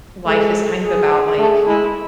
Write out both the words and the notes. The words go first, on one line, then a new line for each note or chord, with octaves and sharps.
life is kind of about, like,
G#3 A4
G#4
A3 G#4
G#3 E4